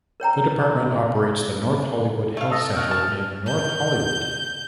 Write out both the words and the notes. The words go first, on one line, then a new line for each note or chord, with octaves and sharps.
The department operates the North Hollywood Health Center in North Hollywood.
A#4 C#5 G5 A#5
A3 F5
A4 D#5
B3 F#4 G5 F6
A5
G6